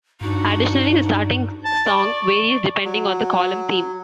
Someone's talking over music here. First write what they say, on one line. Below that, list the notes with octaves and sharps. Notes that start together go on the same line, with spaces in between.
Additionally, the starting song varies depending on the column theme.
G2 D4 D#4 F#4
A5
D5 C#6
D5
F#3